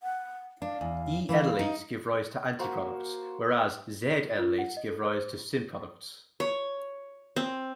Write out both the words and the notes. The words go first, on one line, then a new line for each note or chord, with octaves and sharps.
"E"-enolates give rise to anti products, whereas "Z"-enolates give rise to syn products.
F#5
D4 F5
E2
E3 E4 A4 F5
D#4
A#3 F#4 C5
F4
F#5
D#5
A4
C5
C#5
C4